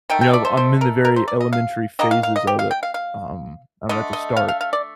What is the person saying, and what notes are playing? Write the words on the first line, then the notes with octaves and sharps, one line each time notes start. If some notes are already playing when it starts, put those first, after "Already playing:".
you know, I'm in the very elementary phases of it. Um, I'm at the start,
D#3 A3 G5
G5
D5
C5
C5
A#4
A#4
C5
D5
D#5
F5
D#3 A#3 D#5
F5
F5
D#5
G4
F5
G5
F5
F5
D3 A3 D#5
D#5
F5
F5
F5
D5